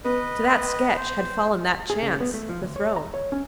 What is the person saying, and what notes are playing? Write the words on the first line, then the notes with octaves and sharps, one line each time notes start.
To that sketch had fallen that chance, the throne.
B3 B4 D#5
C5
G#4
C#3
B3
A3
F3
D2
C#5
A#5
C#5
C#4